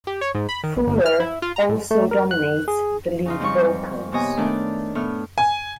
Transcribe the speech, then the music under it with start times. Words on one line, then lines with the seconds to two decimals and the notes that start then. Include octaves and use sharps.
Fuller also dominates the lead vocals.
0.07 G4
0.21 C#5
0.35 G#2
0.49 B5
0.63 D#3
0.75 A#1
0.87 G1
1.06 F6
1.20 E4
1.42 F4
1.56 A#5
1.69 A2
1.91 A3
2.11 A#4
2.31 F#6
2.68 G#4
3.26 C#3 D#4 F4
3.40 F2 G#2 F3 G3 D5 C#6
4.12 D#2 C3 B3 C#5 D#5 G#5
4.37 D#3 A3 B3 D4 D5
4.95 A2 A3 B3 F6
5.38 G#5